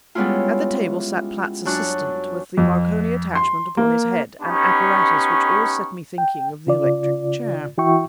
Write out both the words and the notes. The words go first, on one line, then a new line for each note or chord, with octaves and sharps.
At the table sat Platts' assistant with the Marconi attachment upon his head--an apparatus which always set me thinking of the electric chair.
G3 G#3 B3 C#4 E4 F4
F#2 D4 C#6 F#6
F2
C6
A#3
B3 C#4 D#4 G4 B5 C#6
G5
C#3 F4 D5
E3 E4 F#4 E5 G5 C#6